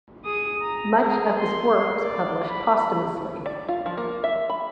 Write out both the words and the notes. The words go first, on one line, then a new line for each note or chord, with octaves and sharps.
Much of his work was published posthumously.
G#4 D#6
A#5
G#4 A#4
C6
D5
B5
D5
F4
F3
A#3
E5
B5